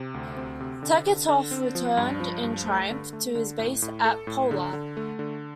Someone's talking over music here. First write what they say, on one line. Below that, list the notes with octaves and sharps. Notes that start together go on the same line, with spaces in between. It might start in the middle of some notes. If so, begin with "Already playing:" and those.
Tegetthoff returned in triumph to his base at Pola.
Already playing: C3
D2
C4
C3
D3
D3
D3
C4
F3
G2
F3
G2
A3
D3
A3
D3
A2
A2
A4
A2
D3
D3
A3
D3